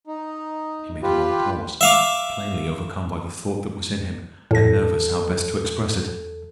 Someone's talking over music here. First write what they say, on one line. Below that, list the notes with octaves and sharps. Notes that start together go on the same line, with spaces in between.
He made a long pause, plainly overcome by the thought that was in him, and nervous how best to express it.
D#4
F4 G4 B4
E5 F5 D6
E2 A2 A4 A#6